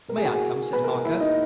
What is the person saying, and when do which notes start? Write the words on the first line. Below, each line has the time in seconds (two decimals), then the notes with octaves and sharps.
"May I come?" said Harker.
0.08 B2 A#4
0.17 G#4
0.25 F#4
0.33 G#4
0.72 B2 B4
0.84 A#4
0.88 B4
1.05 E4
1.20 D#4